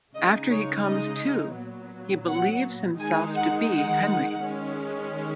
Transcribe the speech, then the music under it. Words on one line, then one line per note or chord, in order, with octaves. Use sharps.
After he comes to, he believes himself to be Henry.
C#3 G#3 D#4 D#5
C#5
D#5
A#2 F#3 B3
F#5
D#3 G#3 D#4 G#5
F#5
F#5
D#3 G#3 C#4